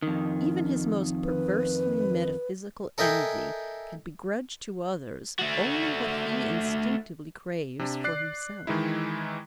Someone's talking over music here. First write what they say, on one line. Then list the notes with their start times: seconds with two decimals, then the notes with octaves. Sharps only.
Even his most perversely metaphysical envy can begrudge to others only what he instinctively craves for himself.
0.02 F2 D#3
1.25 B4
2.98 A4 A#4 D#5 E5 G5 G#5
5.39 A3 F#4
7.79 C3 D4
8.04 D5 F#6 C7
8.67 D#3 E3 G#3 D#4 E4